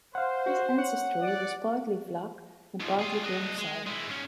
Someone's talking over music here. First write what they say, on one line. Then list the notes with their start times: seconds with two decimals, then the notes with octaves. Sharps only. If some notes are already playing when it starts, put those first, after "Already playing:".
His ancestry was partly Vlach and partly from Syros.
0.15 C5 F5 F#5
0.46 F#4
0.78 C#5 F#5
1.22 D5
2.80 G#2 F3
2.99 F4 G#4
3.24 D4 D#5
3.58 G#3
3.86 G#3 E4
4.06 G#2 C#4